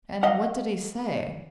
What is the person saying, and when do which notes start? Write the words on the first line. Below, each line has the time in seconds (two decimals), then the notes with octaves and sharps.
"And what did he say?"
0.23 D#5 F5 F#5